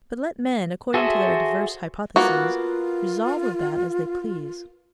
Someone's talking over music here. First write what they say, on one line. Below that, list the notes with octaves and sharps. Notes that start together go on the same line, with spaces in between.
But let men, according to their diverse hypotheses, resolve of that as they please.
F#4 G#4 A4 C5 E5
A#3 B3 F4 F#4